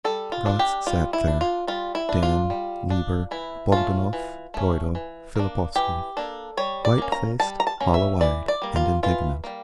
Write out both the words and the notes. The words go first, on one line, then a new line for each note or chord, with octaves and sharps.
Gotz sat there, Dan, Lieber, Bogdanov, Broido, Fillipovsky,--white-faced, hollow-eyed and indignant.
G3 A4
F4
D4
G4
G3 F4
E4
D4
F4
G3 F4
E4
D4
F4
G3
D4
E3 E4
A3 C#4 F4
E3
A3 C#4
E3
A#3 D4
E3 G4
A#3 D4 A4
G3 C#5
D5
A#3 C#4
A#5
G3 A5
A#5
A5
A#3 C#4
E5
E3 D5
D5
G3 A#3
F4
E3 F4
G3 A#3